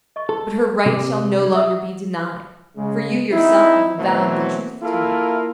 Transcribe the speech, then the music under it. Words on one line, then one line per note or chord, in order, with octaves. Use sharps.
But her right shall no longer be denied; for you yourself have avowed the truth to me.
D#5 C#6
A4 C6
C3 G3 G#4
D4 D5
F#4 E5 D#6
C#3 G#3
C4 D#4 E4
B2 E3 F#3 A3 C4
A#3 E4 F4 A4 A#4